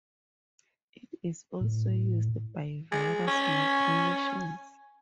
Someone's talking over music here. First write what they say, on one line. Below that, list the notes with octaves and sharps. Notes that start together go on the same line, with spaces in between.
It is also used by various micronations.
A2
G#3
C#4 G#5